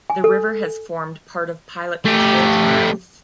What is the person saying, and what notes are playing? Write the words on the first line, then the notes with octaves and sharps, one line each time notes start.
The river has formed part of pilot control trials.
G#5
A4
A3 G4